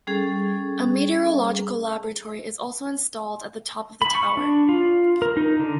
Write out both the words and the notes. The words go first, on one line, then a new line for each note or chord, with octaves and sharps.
A meteorological laboratory is also installed at the top of the tower.
G3 C#4 G#4 A4
B5
C#6
D4
F4
A#4
D#4
D3